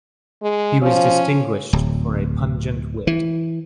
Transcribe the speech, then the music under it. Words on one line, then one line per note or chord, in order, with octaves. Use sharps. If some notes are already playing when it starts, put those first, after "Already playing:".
He was distinguished for a pungent wit.
G#3
F3 C#4
D1
E3